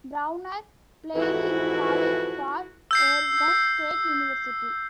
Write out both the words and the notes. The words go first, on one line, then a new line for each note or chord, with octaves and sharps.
Browner played in college for Oregon State University.
F2 G#2 E3 E4 F#4
E6 G6 C7